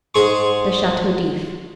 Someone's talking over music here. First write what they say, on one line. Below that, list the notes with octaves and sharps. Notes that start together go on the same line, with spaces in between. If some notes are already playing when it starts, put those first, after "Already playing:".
The Chateau D'If.
G#2 G#4 C6 C#6